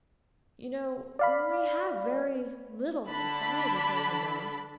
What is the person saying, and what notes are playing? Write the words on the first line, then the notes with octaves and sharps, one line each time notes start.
'You know, we have very little society here, mamma.
D5 F5 B5
D3 D4 A5 B5